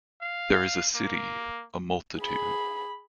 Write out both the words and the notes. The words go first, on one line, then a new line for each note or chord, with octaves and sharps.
There is a city, a multitude.
F5
A#3
G#4 B5